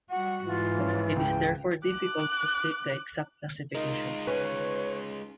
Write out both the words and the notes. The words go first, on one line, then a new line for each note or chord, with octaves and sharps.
It is therefore difficult to state the exact classification.
G3 F#4 F#5
G#2 E3 F4
F3 C#4
C#2 G5
D6 F#6
G#3 D#4 F4 A#4
C#4 B4 C#5